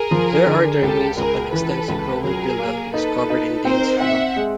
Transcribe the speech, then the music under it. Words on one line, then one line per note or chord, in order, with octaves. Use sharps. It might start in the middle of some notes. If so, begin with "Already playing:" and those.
There are the remains of an extensive Roman villa discovered in Danes Field.
Already playing: G#4 A#4
F3
D3
C#2 G4 A4
C#2 G#4 A#4
E3 A4 B4
C#2
F#3 G#4 A#4
A#3
D#4 A4 B4
D#4
C4 A#4 C5
C4 E5 F#5
G#3